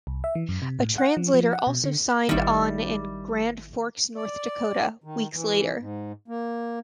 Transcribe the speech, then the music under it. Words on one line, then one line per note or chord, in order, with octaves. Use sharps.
A translator also signed on in Grand Forks, North Dakota, weeks later.
C2
E5
E3
F#2
C3
A2
F#5
F3
F3
F#5
B2
D3
G#1 D#3 G3 E4
D5
D#3
E3
G#2
A#3